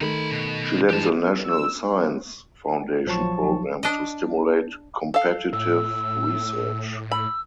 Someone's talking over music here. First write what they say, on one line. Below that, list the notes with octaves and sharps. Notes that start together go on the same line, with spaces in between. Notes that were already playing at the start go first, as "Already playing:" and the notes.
She led the National Science Foundation Program to Stimulate Competitive Research.
D#3 A3 D#4 B5
B2
G2 E3 G#3 G4 A5
E6
A#1 F3 F#3 A5 C#6
D4 D#5
A4 F5
A2 E6
B5 E6